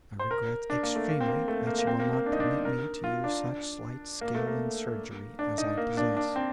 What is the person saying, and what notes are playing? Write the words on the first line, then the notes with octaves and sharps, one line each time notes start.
I regret extremely that you will not permit me to use such slight skill in surgery as I possess.
C5
A#4
D4
A#3
A3
A#3
C4
A#3
A3
A#3
A#3
C4
A#3
A#3
D4
D#4
D4
A#4
F4
D4
A#3
A3
A#3
D4
D#4
A#3
D4
D4
C4